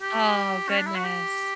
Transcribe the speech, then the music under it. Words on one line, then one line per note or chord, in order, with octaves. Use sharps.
Oh goodness.
G4
C#4
D4
E4
F#4
G4